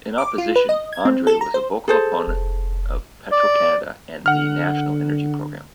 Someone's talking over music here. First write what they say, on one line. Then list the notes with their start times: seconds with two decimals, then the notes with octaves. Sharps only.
In opposition, Andre was a vocal opponent of Petro-Canada and the National Energy Program.
0.18 D6
0.38 F4
0.56 B4
0.69 D#5
0.93 G#6
1.05 C4
1.27 A4
1.41 A#5
1.54 C5
1.88 G#4 A4 C5
2.27 F1
3.32 D5
4.26 D3 F#5 F6